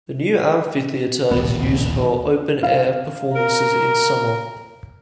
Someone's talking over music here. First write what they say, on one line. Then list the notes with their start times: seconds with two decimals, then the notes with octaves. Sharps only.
The new amphitheatre is used for open air performances in summer.
1.31 D1 A#1 D#2 B3
2.63 F5
3.35 A#4 A#5